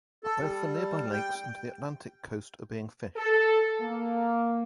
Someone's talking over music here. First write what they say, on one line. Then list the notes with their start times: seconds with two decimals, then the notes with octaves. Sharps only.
Both the nearby lakes and the Atlantic coast are being fished.
0.24 A4
0.41 G3
1.12 G5
3.16 A4
3.81 A#3